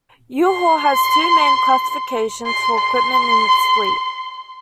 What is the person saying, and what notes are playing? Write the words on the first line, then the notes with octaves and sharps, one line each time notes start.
U-Haul has two main classifications for equipment in its fleet.
C6
C6
C6